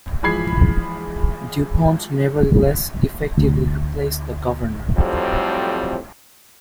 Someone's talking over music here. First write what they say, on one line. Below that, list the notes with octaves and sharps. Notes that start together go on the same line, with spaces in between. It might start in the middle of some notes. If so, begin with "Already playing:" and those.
Dupont nevertheless effectively replaced the Governor.
E3 F3 G#3 B5 G#6 C7
D2
F2 A2 F#3 G3 C4